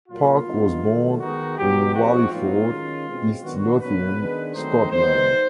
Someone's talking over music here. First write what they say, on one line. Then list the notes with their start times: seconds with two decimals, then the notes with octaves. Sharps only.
Park was born in Wallyford, East Lothian, Scotland.
0.09 A#2 F#3 A#3 F4
0.47 D3 G3 B3 D#4
0.83 D#3 F#3 A3
1.20 D#3 G#3 B3 D#4 F#4
1.57 B2 F#3 B3 G4
1.95 F3 G#3 C4 D#4 F#4
2.32 A2 F#3 B3 D#4 F4
2.69 D#3 G#3 C#4
3.06 B2 G#3 C4
3.43 D#3 F#3 B3 D4 F#4
3.80 B2 F#3 A#3 C#4 B4
4.17 D#3 G#3 B3 D4
4.55 D#3 F#3 A3 C4 D#4 C5
4.91 D#3 G3 B3 D#4 C5